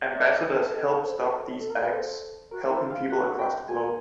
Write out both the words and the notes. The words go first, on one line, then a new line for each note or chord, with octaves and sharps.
Ambassadors help stop these acts, helping people across the globe.
C#5
D5 E5
D#5
A4
D#5
C5
C#5
A4
A#4
G#4 B4
A4 C5
F#4 A#4
E4 C5
F4
F5
F#4 F#5
G5
G#5